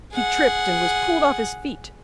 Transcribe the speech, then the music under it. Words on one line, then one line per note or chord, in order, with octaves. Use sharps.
He tripped and was pulled off his feet.
G#4 F#5